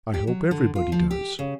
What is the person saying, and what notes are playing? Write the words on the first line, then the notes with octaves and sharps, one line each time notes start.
'I hope everybody does.'
G4
F#3
D3
F4
F3
G4
C#3